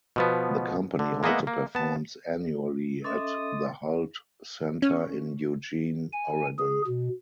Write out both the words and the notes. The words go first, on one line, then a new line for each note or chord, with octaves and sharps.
The company also performs annually at the Hult Center in Eugene, Oregon.
B2 F3 B3
D3
G#3 A#3 B3 D#5 E5 F#5
A#3
B3 A5
C#4 A4 D#5 E5 C6 D6 D#6 A6
C#4
G#5
G#4
B2